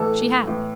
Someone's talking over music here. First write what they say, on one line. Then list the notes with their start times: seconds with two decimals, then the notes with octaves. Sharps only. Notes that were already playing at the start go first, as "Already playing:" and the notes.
She had.
Already playing: A2 E3 A4
0.47 A2 E3